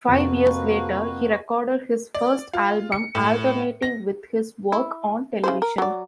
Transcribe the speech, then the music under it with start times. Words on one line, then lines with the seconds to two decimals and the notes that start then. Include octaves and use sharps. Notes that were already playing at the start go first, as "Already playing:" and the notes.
Five years later he recorded his first album alternating with his work on television.
0.08 F2 C3 A#3 F#4 B4
2.15 D5
2.53 F4
2.92 C#7
3.15 A2
3.82 A#6
4.72 E4
5.44 C#3 E4 C5
5.62 A#4
5.78 F#3 D5